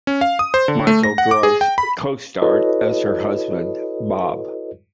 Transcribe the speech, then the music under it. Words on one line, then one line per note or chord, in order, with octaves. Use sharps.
Michael Gross co-starred as her husband, Bob.
C#4
F5
D#6
C5
D3
A3
A#6
F#5
D6
G#4
G5
B5
E4 F#4 A4 B4 C#5 D#5